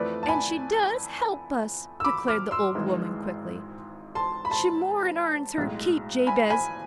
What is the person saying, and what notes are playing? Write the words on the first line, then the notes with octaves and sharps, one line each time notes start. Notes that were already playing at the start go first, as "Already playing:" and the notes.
And she does help us," declared the old woman, quickly. "She more'n airns her keep, Jabez.
Already playing: F2 E3 A3 C4 B4 D5
A5
G#5 B5
E6
B5 D6
D6 F6
C6 E6
G#1 G#2 E3 G#3
A5 C6
B5
A5 C6
B1 A2 G#3
G#5 B5
G#5 B5